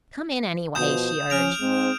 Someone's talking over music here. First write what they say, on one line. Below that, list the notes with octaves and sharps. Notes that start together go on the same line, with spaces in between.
"Come in, anyway," she urged.
B2 F3 D#6 G6 E7
F3 C#4 F6 D7 F7
G#2 C4